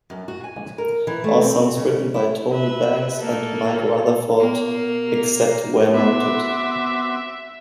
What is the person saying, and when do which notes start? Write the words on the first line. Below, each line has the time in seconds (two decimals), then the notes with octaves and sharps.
All songs written by Tony Banks and Mike Rutherford, except where noted.
0.10 F#2
0.28 F#4
0.44 G#5
0.78 A#4
1.07 E3
1.24 A3
1.42 C4
1.77 C#3
2.14 E4
2.52 B4 E5
3.19 A#3 A4
4.39 B2 A#3
5.94 B3 C4 F#4 E5 D6